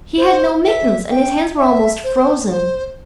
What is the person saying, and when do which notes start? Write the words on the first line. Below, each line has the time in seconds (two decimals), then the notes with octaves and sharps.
He had no mittens, and his hands were almost frozen.
0.17 C5
0.64 E5
1.10 G5
1.57 E5
2.04 C5
2.50 C5